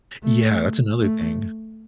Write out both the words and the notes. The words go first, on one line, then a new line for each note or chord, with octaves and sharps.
Yeah, that's another thing.
A3
A3